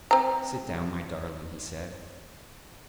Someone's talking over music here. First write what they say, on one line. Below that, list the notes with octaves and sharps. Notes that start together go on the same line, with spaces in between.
"Sit down, my darling," he said.
C4 A#5